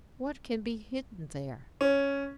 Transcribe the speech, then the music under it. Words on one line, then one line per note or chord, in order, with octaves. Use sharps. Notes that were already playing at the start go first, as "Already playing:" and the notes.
What can be hidden there?
C#4